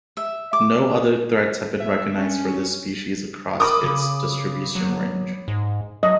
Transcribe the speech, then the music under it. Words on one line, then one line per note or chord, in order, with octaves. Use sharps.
No other threats have been recognized for this species across its distribution range.
E5
D6
E5
C#4
A#4 B5 D6 D#6
C#3
F#3
G#2
F#3 D#5